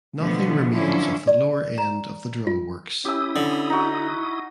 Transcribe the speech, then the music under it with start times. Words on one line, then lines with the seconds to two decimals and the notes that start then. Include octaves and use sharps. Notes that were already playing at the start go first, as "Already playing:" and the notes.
Nothing remains of the lower end of the draw works.
0.18 B2 D3 F3 A3 B3
0.73 D3 F3 F#3 C#4 D4 E4
1.27 D5
1.78 A#5
2.47 F4
3.05 C#4 E4 G4 D#6 E6
3.36 D3
3.70 D#4 F#4